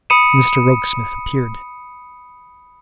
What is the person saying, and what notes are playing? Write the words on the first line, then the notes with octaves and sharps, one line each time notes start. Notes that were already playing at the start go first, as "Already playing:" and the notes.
Mr Rokesmith appeared.
B5 D#6 C#7 D#7 E7